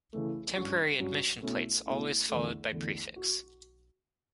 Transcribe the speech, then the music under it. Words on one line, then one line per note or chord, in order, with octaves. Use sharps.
Temporary admission plates always followed by prefix.
C#3 E3 A3
G2 F#3 C#4 F#4
G2 F#3 C#4 F#4
B2 A3 C#4 E4
B2 A3 C#4 E4
E2 D3 A3
E2 D3 A3
F#4